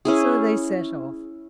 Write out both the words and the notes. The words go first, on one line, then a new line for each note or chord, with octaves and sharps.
So they set off.
C#4 E4 G#4